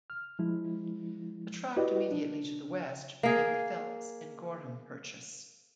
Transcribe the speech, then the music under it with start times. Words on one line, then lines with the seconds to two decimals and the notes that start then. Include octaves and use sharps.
The tract immediately to the west became the Phelps and Gorham Purchase.
0.10 F6
0.39 F3 G#3 E4
1.76 E4 F#4 G4 B4 D5 D#5
2.11 D4
3.23 A#3 G#4